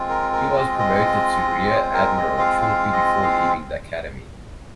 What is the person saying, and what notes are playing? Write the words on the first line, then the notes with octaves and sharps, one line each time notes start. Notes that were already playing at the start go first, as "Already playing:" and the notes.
He was promoted to rear admiral shortly before leaving the Academy.
Already playing: G#3 C4 F4
A#4
A#4
D#5
D#5
C5
A#4
D#5
F5
F5
D#5
F5